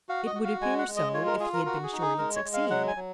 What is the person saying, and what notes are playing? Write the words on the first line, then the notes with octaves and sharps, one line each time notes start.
"It would appear so if he had been sure he'd succeed."
F#4 F5
D#5
F#4
F5
G#3 G#5
F#5
G#3
D#5
F4 C#5
A#4
F4 G#4
A#4
F#4 A#4
G#4
D#4
G#4
G#3 A#4
C#5
G#3
F5
F#3 F#5
G#5
F#3